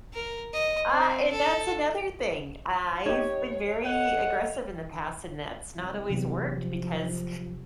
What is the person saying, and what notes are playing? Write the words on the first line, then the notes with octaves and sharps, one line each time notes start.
Uh, and that's another thing. I I've been very aggressive in the past, and that's not always worked because
A#4
D#5
C4
A4
D#4 G4 C#5
A4 D#5 F#5
C2
E2 C3 F#3 G4
F3